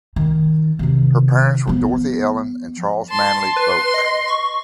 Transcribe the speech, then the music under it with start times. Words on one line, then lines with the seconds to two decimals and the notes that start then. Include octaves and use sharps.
Her parents were Dorothy Ellen and Charles Manley Boak.
0.16 D#3
0.79 C3 D#3
1.67 F3 B3
3.10 A5 C6
3.56 B4 C6
3.94 D#5
4.28 C#6